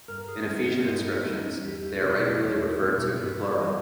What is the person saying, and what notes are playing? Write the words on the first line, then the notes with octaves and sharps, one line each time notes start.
In Ephesian inscriptions, they are regularly referred to in the plural.
G2 A#4
G#4
G3 C#4 D#4
C#4
G2 D#4
G3 C#4 D#4
E2 G4
B2 G3
E2 C#5
B2 G3
G2 B4
E3 G3 D#5